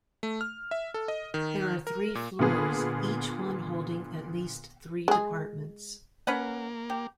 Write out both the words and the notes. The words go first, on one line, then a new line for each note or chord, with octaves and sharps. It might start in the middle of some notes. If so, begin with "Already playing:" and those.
There are three floors, each one holding at least three departments.
A3
F6
E5
A4
D#5
D#3
A#4
A#2
A#2 D3 B3 G#4
G#3 G#4
A#3 C#4 B4 F#5
G4